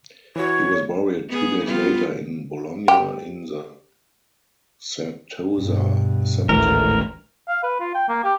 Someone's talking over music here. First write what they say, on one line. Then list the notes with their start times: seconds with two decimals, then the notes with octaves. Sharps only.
He was buried two days later in Bologna in the Certosa cemetery.
0.36 E3 F#4 C#5
1.29 B3 G#4
1.63 G3 B3 F4
2.88 G4
5.57 G2 B2
6.49 G#1 D2 A2 E3 A3 A#4
7.49 F5
7.63 B4
7.80 F4
7.95 G5
8.09 A#3
8.24 G4